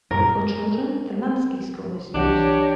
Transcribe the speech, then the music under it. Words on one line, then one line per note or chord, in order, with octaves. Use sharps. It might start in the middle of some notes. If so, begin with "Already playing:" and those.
For children, the Lansky score is used.
F#2 A#2 G3 A#4
C2 E3 D4 G4 C#5 D#5 F#5